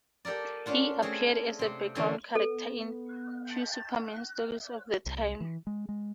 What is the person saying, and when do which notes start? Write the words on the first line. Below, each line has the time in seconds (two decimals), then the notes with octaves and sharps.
He appeared as a background character in a few Superman stories of the time.
0.25 G4 A4 A#4 D5
0.66 C#4 D4 F4 F#5
1.02 A3 C4 G#4
1.59 C3 C4
1.95 D3 E3 A3 A#3 C4 C#4
2.35 B3 A4
5.06 C2
5.41 E3
5.67 G#3
5.89 G#3